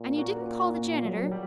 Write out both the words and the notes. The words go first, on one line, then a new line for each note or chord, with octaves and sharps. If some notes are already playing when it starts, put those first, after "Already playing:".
"And you didn't call the janitor?"
Already playing: A#2
A#3 C#4 F#4
A#2
F#3
G3